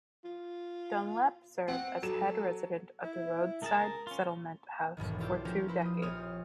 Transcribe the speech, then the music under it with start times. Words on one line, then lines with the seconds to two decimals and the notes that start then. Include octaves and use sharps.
Dunlap served as head resident of the Roadside Settlement House for two decades.
0.24 F4
1.68 C4 F#5
2.03 F#3 A4 E7
3.03 E4
3.62 C#2 G#4 A#4 A5
4.07 C#4 F4
4.97 E1 B1 G#2 D#3
5.20 E4 F4 G4 A4 D5
5.45 F3 A#3 C4 C#4 G4 A#4
5.68 E4 B4 C5
5.82 F4 D#6
6.02 A#1 C4 C#5 D#6 F6